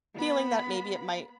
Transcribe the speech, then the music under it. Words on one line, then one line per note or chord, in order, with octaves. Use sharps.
feeling that maybe it might
B3 B5